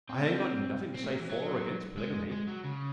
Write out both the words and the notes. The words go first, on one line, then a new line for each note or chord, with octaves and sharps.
I ain't got nothin' to say for or against polygamy.
C4
A3
C4
C4
A3
F#3
E3
F#3
G#3
G#3
F#3
C#3